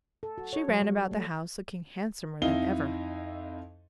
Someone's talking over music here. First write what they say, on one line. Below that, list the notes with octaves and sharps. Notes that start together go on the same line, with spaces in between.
She ran about the house looking handsomer than ever.
A4
F#4
C#5
F#3
G3
A3
F2 D#4 E4 D#5 F5 G7